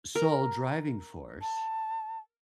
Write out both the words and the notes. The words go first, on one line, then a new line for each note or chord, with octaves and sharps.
sole driving force
A#4
A5